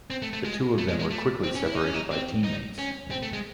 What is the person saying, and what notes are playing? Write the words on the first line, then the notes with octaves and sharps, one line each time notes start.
The two of them were quickly separated by team-mates.
C4
A3
A3
G#3
A3
G#3
G#3
A3
C4
C#4
E4
D#4
C#4
D#4
C4
D#4
C#4
C4
A3
G#3